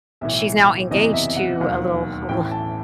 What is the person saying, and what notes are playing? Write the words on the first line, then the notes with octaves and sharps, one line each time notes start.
she's now engaged to a little a li
B1 A2 E3 E5
F#1 E2 C3 E3 D#5
E5
F#5
E1 D#2 D#3 F#3
A1 A2 E3 G5
A5